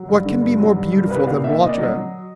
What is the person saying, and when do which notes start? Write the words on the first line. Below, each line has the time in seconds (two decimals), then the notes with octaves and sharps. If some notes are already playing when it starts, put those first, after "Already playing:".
What can be more beautiful than water?
Already playing: F#3
0.09 G2
0.25 D3
0.42 G2
0.60 F#3
0.76 G2
0.93 G2
1.05 A#4
1.10 C2 B4
1.26 A#2 F5
1.44 A#2 E5
1.61 A#2 D#5
1.68 D5
1.77 F#3 D#5
1.94 F#3